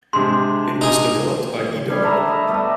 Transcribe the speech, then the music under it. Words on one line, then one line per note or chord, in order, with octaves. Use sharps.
It was developed by Edo.
C3 G#3 D4 C6
D#4 G#4
D3 G3 G#5
A3 B4 A5 A#5
D#5 E5
G3 A3 B3